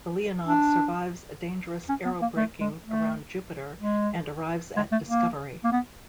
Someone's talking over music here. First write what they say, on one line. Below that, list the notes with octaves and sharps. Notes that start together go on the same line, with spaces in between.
The "Leonov" survives a dangerous aerobraking around Jupiter and arrives at "Discovery".
D4
C#4
B3
A#3
A3
G#3
A3
G#3
G#3
A3
A#3
A#3
B3